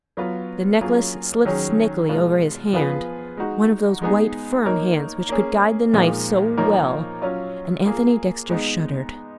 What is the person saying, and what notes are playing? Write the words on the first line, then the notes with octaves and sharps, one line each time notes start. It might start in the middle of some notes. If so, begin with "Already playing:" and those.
The necklace slipped snakily over his hand--one of those white, firm hands which could guide the knife so well--and Anthony Dexter shuddered.
F#3 B3 F4 B4
F#3 A#3 C#4 F4 G#4
D#3 F#3 C#4 G#4
B2 G#3 B3 F4
F3 B3 F4 G#4 B4
G#3 D#4 F#4
G#3 B3 D#4 G#4
A#3 D#4 A#4 C#5
A#3 C#4 G#4
A#2 F3 G#3 D#4 A#4
F3 A#3 D#4 A#4 C#5
F#3 C#4 F4
A#3 F4 G#4
G#3 B3 D#4